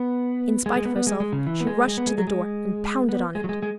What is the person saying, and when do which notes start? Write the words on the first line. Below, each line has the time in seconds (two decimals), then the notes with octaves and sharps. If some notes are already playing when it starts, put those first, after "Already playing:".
In spite of herself, she rushed to the door, and pounded on it.
Already playing: B3
0.66 G#3
0.76 G#3
0.85 B3
0.96 B3
1.07 G#3
1.20 G#3
1.32 C#3
1.46 E3
1.60 B3
1.67 G#3
1.87 G#3
1.98 B3
2.07 G#3
2.18 F#3
2.27 G#3
3.09 B3
3.35 G#3
3.44 F#3
3.49 G#3
3.63 G#3